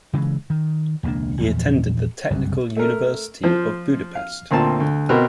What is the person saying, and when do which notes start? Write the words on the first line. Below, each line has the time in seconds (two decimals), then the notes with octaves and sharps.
He attended the Technical University of Budapest.
0.13 C#3 E3 F#3 G#3
0.50 D#3
1.03 E1 C#2 A#3 D4
1.40 A#1 E2 A#2
2.30 F#1 C2 G2
2.77 A3 A#4
3.43 F3 F4 C5
4.15 F5
4.51 D2 A#2 C4 A5
4.80 D2
5.09 B2 C4 A#4 D#5